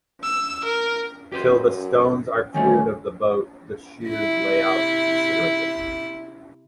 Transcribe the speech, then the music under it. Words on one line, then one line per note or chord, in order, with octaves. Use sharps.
Till the stones are cleared of the boat, the shears lay out considerably.
E6
A#4
F#2 G4 B4 C5
D2 D#3 G3 A3 C#4
C3 E4